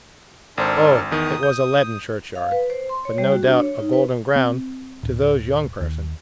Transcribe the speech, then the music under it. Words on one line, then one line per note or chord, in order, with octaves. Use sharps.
O it was a leaden churchyard, but no doubt a golden ground to those young persons!
G#1 D4 A4 A#4 C5
E2 D#3 D#6
G6
F5
B4
C5
C6
C#5
G3
F#4
D4
C#5
D#4
B4
C4
D1
D#2